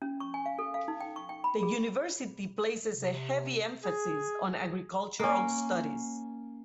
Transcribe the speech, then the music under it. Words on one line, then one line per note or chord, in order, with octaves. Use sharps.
The university places a heavy emphasis on agricultural studies.
C#4
C#6
G#5
F5
A4
F5
D#4
G5
C#6
G5
B5
G#4
C3
G#4
A#3 C#4